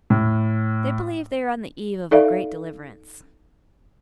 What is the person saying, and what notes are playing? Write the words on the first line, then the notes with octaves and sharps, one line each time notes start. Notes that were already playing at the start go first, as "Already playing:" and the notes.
They believe they are on the eve of a great deliverance.
A2
D#4 A4 D5 E5 F5